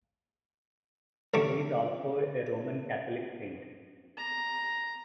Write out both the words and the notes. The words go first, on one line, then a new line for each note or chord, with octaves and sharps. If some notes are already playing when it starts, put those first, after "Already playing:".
She is also a Roman Catholic saint.
A1 D3 G3 A3 C#6 D6
A#5